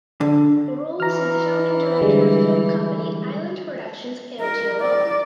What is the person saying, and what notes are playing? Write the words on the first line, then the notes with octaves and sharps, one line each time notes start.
Rolls is the founding director of film company Island Productions Aotearoa.
D3
E3 A#5 F6
D3 G3 G#3
A#4
D5